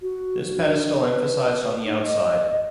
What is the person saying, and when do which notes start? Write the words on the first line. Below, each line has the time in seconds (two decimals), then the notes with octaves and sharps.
This pedestal emphasized on the outside.
0.01 F#4
0.57 D4
1.01 B4
1.84 D#4
2.03 D#5